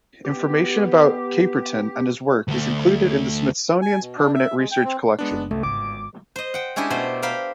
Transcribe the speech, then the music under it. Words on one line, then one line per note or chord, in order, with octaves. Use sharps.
Information about Caperton and his work is included in the Smithsonian's Permanent Research Collection.
B3 G4
D2 A3
G#5
B2
D4
E5
G#3
G5
C4
G#3 B3 D4
F#1
G1 C#2 A3
G#1 D6
C5 D#5
F#5 G5
G#3 C#4 D4 E4 G4
B2 A3 C5
A#4 C5 F5 G5 B5 C6